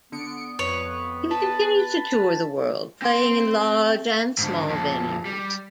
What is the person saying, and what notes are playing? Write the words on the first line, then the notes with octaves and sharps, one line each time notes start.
He continues to tour the world playing in large and small venues.
D3 B3 C#7 D7
F2 B4 C#5
B4 A5
C4 C6
G#2 D3
F2 A#2
G3